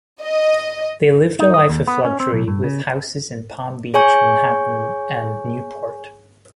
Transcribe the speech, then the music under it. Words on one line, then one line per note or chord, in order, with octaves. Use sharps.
They lived a life of luxury, with houses in Palm Beach, Manhattan, and Newport.
D#5
D#4
D#5
D#2
B3
C#4
C4
B1
G2
C#3
G#4 C#5 G#5 C#6 G6